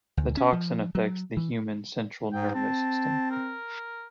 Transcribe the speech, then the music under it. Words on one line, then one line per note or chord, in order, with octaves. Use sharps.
The toxin affects the human central nervous system.
D2
C#4
F3
F#3
E3
G#2 G5
C4 A5
A#4